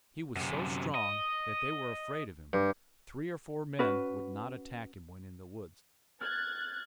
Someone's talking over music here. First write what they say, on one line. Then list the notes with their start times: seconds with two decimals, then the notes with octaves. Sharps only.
He was so strong that they were afraid of him; three or four men would not attack him when in the woods.
0.36 F#2 C3
0.95 D#5
2.53 G2
3.79 C#4 F#4 B4
6.21 F6 F#6 G#6 A6